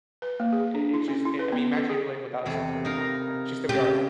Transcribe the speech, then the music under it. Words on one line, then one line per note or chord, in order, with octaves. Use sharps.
it it's just i I mean, imagine your life without a cell phone right now. I mean, it's just that we are,
B4
A#3
G#4
D4
E4
C#4
E4
B4
B3
C#4
A4
G#4
E2 C3 A4
D#4 A#4 F5
C#3 C4 G4